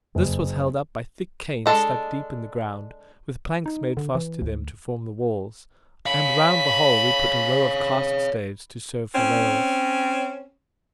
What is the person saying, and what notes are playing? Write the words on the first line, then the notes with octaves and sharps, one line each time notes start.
This was held up by thick canes stuck deep in the ground, with planks made fast to them to form the walls, and round the whole we put a row of cask staves to serve for rails.
F#1
G#3 D4 A4 D#5
D#4
D3
E3
D2
C#5 F5 B5
C4 C#4